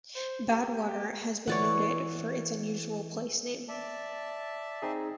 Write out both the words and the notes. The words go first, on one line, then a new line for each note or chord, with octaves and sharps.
Badwater has been noted for its unusual place name.
C5
G4
G4
E3 C#5 D5 F#5
D5 E5 A5
C4 D#4 G#4